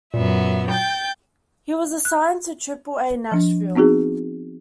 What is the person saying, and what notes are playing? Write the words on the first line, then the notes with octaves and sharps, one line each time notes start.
He was assigned to Triple-A Nashville.
F#2 A#2 B3 E5
G5 G6 A6
F#6
F3 D4
B3 C4 D#4 F#4 G#4